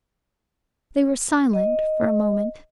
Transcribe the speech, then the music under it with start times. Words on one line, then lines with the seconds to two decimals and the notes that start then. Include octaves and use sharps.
They were silent for a moment.
1.53 D#5